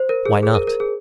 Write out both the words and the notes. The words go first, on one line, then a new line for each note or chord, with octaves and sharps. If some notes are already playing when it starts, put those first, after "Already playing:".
Why not?
Already playing: C5
A#4
G#4
G#4
A#4
A#4
G#4